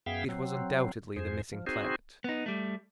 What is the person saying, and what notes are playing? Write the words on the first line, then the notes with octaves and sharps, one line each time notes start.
It was undoubtedly the missing planet.
F#2 B3 G#4 E5 F5 G5
F#3 C4
F2 G#4 C5
F3
C4 D#4 F#4 G#4 C5
B3 D#4
G3 A3